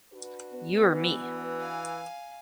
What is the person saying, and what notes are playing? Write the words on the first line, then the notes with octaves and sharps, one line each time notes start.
You or me?
D4 F#4 B4
B3
E3
F5 G#5